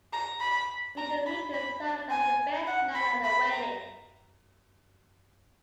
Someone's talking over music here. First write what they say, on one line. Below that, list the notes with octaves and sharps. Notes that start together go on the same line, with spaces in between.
Richard Winters served as the best man at the wedding.
A#5
B5
A#5
B5
B5
G#5
F#5
B5
B5
A#5